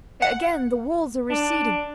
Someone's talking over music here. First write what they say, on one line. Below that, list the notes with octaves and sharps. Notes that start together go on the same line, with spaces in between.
Again the walls are receding....
F#5
D4